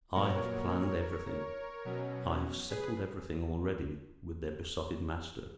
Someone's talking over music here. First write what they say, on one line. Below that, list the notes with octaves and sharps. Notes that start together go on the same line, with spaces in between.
I have planned everything,--I have settled everything already with their besotted master.
A#2 F#3 B3 A#4 C#5
B2 F#3 C#4
G#4 B4